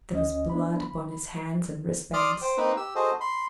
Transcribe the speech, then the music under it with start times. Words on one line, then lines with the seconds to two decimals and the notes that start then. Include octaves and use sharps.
There was blood upon his hands and wrist-bands!
0.12 D2 C#4 D#5
0.50 B3 D4 E4 B5
0.81 B5
2.13 D5 C6 D6 D#6 F6
2.42 C5 G5
2.57 A#3 C4 D#4 B4
2.77 G4 E6
2.95 F#4 G#4 A4 C5 D#5
3.21 B5 C6